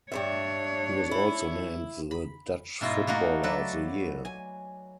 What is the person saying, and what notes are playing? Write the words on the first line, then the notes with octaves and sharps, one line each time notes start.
He was also named the Dutch Footballer of the Year.
G2 C3 D4 C#5 E5
E4
B5
G#2 B2 E4 F4 D#5
A3 A#3 D#4 F#4
F#3 A4 B4 D5
G#5